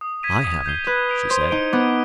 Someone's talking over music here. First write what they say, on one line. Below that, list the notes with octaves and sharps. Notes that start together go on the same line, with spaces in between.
"I haven't," she said.
D#6
G#6 B6 D#7
D#6
G6 C7 G7
B4 G#6
D7 F7
C5 G#6
D#4 D7 G7
B3 D6